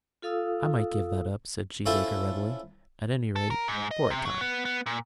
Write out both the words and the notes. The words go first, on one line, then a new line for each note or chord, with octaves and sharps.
"I might give that up," said Cheesacre readily,--"at any rate, for a time."
F4 A4 F5 D#6 E6
C#4 E4 F4 A4 C5 E5
A4
A#4
G#2
D#5
C3
F#3
B3
B3
A#2